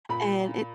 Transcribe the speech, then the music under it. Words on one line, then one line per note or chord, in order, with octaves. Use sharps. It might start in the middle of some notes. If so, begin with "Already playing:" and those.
and it
A#2 B5